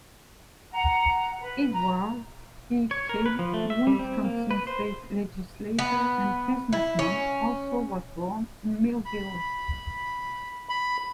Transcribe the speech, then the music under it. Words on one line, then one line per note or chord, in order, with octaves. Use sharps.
Edward I. Kidd, Wisconsin state legislator and businessman, also was born in Millville.
F#5 A#5
B4
A#5
C#5
A#4
B4
F3
A3
E5
G3
C4
A#3
B4
C5
B3
E4
C#4
B5
B5